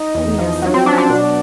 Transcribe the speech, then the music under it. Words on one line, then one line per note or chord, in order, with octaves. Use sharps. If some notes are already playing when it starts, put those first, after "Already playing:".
you know, sometimes
Already playing: D#4
E2
F3
F#3
C4
F#3 D4
D4
B2